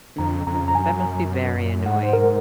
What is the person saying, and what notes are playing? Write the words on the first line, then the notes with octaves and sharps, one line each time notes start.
Mhm, that must be very annoying.
F2 A#5
F2 A#5
A#5
F#2 G#5
G#2 F#5
C5
A#4